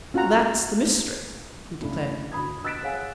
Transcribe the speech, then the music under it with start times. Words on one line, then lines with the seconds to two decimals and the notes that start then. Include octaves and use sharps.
"That's the mystery," he declared.
0.14 C#4 F4 F#4 F#5 A#5
1.81 C#2 A3 D4 E4
2.32 D2 B5 D#6 G#6
2.64 E6 F#6 A6 B6 D7 E7
2.83 G#4 C#5 F5 F#5 G#5